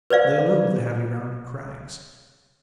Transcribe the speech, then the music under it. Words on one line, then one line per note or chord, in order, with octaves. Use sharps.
They illumined the heavy rounded crags.
B4 C5 D5 F5